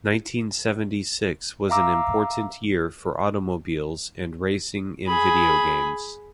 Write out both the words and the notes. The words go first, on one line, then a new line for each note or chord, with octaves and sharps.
Nineteen seventy-six was an important year for automobiles and racing in video games.
E5 F5 A#5 D6 E6
G#4 B5